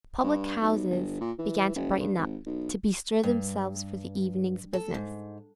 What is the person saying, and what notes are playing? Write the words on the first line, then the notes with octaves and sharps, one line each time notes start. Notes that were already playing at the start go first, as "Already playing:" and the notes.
Public-houses began to brighten up, to bestir themselves for the evening's business.
G2
B1
G1
A#2
E3
F#1
G2
G#1
B1
G2
A4
G#2